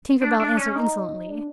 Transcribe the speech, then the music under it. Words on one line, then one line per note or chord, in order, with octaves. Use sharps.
Tinker Bell answered insolently.
D4
D4
C#4
D#4
D4